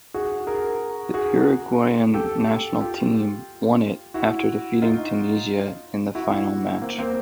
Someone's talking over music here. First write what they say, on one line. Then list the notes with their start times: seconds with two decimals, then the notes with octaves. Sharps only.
The Uruguayan national team won it after defeating Tunisia in the final match.
0.14 F#4 G#4
0.47 G#4 A#4
1.14 F#4 G#4
2.14 G4 A4
2.81 F4 G4
4.14 E4 F#4
4.82 D#4 F4
6.15 E4 F#4
6.82 A#3 C4
6.98 A#3 C4